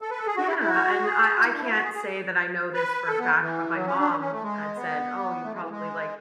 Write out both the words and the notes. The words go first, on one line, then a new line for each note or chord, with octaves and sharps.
Yeah, and I I can't say that I know this for a fact, but my mom had said, "Oh, you probably liked
A4
B4
A4
G#4
F#4
E4
E4
F#4
G#4
F#4
E4
D4
E4
F#4
G#4
G#4
B4
A4
B3
E3
F#3
C#4
D4
C#4
C#4
A3
G#3
B3
A3
G#3
E3
G#3